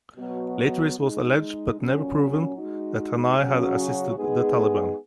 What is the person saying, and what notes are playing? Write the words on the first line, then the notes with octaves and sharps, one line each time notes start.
Later it was alleged, but never proven, that Tanai had assisted the Taliban.
B2 F#3 B3
G#3 D#4 G#4
A#2 F#3 C#4
G#3 D#4 F#4
C#3 F#3 C#4 F#4
G#3 B3 D#4 G#4